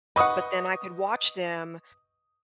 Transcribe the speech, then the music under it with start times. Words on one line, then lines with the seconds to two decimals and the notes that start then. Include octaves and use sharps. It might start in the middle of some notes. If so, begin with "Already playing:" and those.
But then I could watch them
0.16 B4 D#5 F#5 C#6 D#6